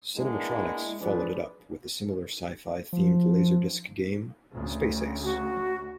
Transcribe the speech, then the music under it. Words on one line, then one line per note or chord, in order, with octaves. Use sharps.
Cinematronics followed it up with the similar sci-fi-themed laserdisc game, "Space Ace".
G#3 A#3 B3 D4 E4
F2 F3 D4 G#4 B4
F3
D2 C#3
F#4